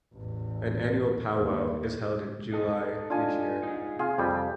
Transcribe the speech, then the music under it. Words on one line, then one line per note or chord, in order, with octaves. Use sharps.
An annual pow-wow is held in July each year.
A1 E2
D#2
D#4 A4 D#5
D4 F4 G#5
D#4 G#4
C3 F4 G#4
F2 G3 G4